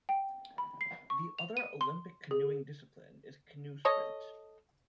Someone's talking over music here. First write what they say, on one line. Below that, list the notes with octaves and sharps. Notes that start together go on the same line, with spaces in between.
The other Olympic canoeing discipline is canoe sprint.
G5
B5
C7
C#6
F7
D#7
C6
G#4
A4 C#5 D#5